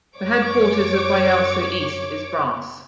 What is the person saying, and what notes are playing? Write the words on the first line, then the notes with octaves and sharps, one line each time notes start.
The headquarters of Bayelsa East is Brass.
F#2 C#5 D6